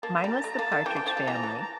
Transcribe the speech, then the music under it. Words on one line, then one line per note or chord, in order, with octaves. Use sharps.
Mine was The Partridge Family.
A#3 A5
A#5
G3
A5
A3 A#5
A#3 A5
A3
E3 G5
E3
F3 A5
G3
E3 A#5
F3
E3 A5
A#5